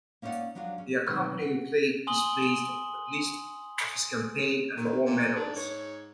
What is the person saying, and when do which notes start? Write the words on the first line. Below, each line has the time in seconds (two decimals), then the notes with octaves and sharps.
The accompanying plaque displays a list of his campaign and war medals.
0.22 A#3 C#4 D#4 E4 D5 F#5
0.55 F3 F#3 D4 F#4 G#4
0.78 C#4
1.06 B2 D#3 G#3 C4 B4
1.42 F#4
2.07 G#5 C6 D#6 F#7 G7
4.77 D#3
5.06 A#2
5.36 G#2 D4
5.56 C#5